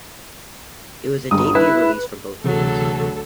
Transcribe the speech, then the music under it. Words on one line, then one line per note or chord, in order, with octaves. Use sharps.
It was the debut release from both bands.
G1 D#6
E4 B4
D2 C3 E3 F#3 G#4 A4